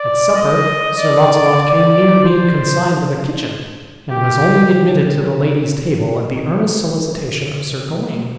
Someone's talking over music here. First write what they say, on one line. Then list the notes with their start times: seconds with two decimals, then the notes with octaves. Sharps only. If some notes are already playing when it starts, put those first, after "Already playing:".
At supper Sir Launcelot came near being consigned to the kitchen and was only admitted to the lady's table at the earnest solicitation of Sir Gawain.
Already playing: D5
0.36 D#5
0.98 D5
1.61 D5
2.24 C5
4.12 G4